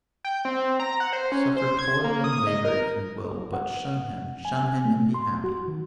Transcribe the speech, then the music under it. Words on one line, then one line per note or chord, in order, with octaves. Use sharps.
Suffer toil and labour if you will, but shun him, shun him, and be happy.
G5
C4
A#5
F#5
C5
C#4
C5
G#6
A#3
D#6
D#5
A#4
F#5
G#5
G#5
A3
C6
F#4
D#3